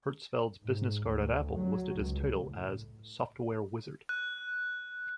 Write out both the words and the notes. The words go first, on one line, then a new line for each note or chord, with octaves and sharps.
Hertzfeld's business card at Apple listed his title as "Software Wizard".
G#2
D2
F#3
C#2
A2
F#6